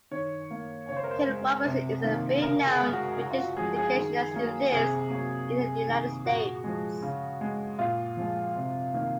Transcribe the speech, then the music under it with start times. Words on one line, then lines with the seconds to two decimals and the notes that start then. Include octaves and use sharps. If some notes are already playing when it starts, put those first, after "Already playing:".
Ken Robinson is a renowned British educationist who lives in the United States.
0.11 D#3 C#5
0.51 A#3
0.89 C#3 C#5
0.96 C5
1.03 A#4
1.11 C5
1.27 G#3
1.65 C3
2.04 D#3 A#3
2.42 C#3 A#4
2.67 G#4
2.81 G#3
2.93 F#4
3.19 C#3 F#4
3.30 F4
3.38 F#4
3.57 F3 G#3 G#4
3.76 G#4
3.95 D#3
4.34 F#3 A#3
4.72 C3 G#4
5.10 F#3 A#3
5.49 C3
5.87 D#3 A#3
6.25 A#2 F#4
6.64 F3 G#3
7.02 C#3
7.41 G#3
7.79 A#2 F4
8.17 F3 G#3
8.56 C3
8.94 D#3 A#3